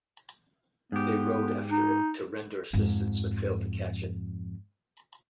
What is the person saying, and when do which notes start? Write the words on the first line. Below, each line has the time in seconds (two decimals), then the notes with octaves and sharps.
They rowed after it to render assistance but failed to catch it.
0.92 G#2 B3 G4
1.71 D#4
2.73 F2 G#2